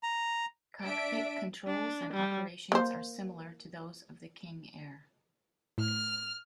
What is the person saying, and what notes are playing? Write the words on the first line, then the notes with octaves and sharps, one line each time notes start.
Cockpit controls and operations are similar to those of the King Air.
A#5
D4 E5 B6 D7
D4
G3
A#3 C5
A2 F6